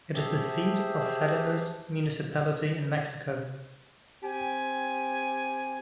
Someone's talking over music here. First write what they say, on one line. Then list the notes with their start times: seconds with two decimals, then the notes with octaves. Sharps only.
It is the seat of Salinas municipality in Mexico.
0.15 G4 G#4 C5 E5 A5
4.23 C4 G4 G#5